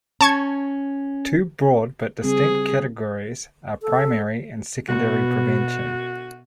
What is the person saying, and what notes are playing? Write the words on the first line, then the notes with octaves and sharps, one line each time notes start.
Two broad but distinct categories are primary and secondary prevention.
C#4 A5 C#6 G#6
C#3 G3 C4 G#4
A4
B2 F#4